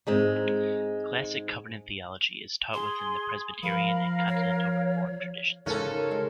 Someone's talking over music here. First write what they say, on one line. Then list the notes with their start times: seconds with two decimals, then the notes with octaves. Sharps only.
Classical covenant theology is taught within the Presbyterian and Continental Reformed traditions.
0.07 G#2 G#3 C4
2.74 G#4 C6
3.63 F3 A#4 F5 B5
4.28 C#5
5.66 G#2 C#3 C#4 D#4 F#4 A4 A#4 F5
6.11 G#3